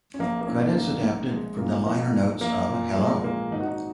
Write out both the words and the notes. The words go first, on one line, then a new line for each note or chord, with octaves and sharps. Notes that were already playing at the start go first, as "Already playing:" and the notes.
Credits adapted from the liner notes of "Hello".
C#4
A#1 A#3
A#3
G#2 D#3 C#4
A#1 A#3
G#2 D#3
A#1 G#3
A#2 A#3
A#1 A#3
A#2
A#1 A#3
A#2
A#1 G#3
A#2 A#3
G#1 D#4
F#4
D#4